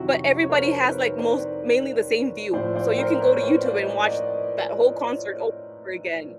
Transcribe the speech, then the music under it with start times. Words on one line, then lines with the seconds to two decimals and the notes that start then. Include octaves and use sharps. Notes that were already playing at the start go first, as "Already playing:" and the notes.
But everybody has like most mainly the same view, so, you can go to YouTube and watch that whole concert over again.
Already playing: F2 C3 D#3 F#3 E4 F#4
0.43 C#5
0.50 A#4 C5
0.84 B4 C#5
1.18 C5 D5
2.53 A2 F3 C5 D5
2.75 C5 D5
2.98 A#4 C5
3.20 B4 C#5
3.43 C5 D5
3.66 D5
3.76 D#5
3.87 D5
3.97 D#5
4.07 D5